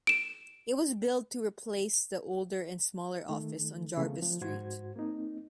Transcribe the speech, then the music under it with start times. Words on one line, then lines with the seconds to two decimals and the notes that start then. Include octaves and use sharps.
It was built to replace the older and smaller office on Jarvis Street.
0.07 D7 E7
3.29 D#3 A3
3.98 C#3 F3 A3 B3
4.22 F3
4.41 G#2 F#4 C5 G#6
4.96 A#3 C4 D#4